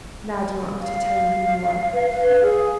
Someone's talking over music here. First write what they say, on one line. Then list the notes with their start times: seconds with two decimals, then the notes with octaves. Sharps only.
Now do you want me to tell you who you are?
0.81 F5
1.93 B4
2.09 B4
2.41 G#4